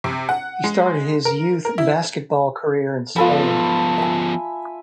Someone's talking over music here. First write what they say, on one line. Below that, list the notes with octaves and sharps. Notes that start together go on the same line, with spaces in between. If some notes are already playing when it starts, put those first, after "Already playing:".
He started his youth basketball career in Spain.
C3
F#5
G#3
A#4
A#4
E4
F3 B3 F4 A4 B5
E5 G#5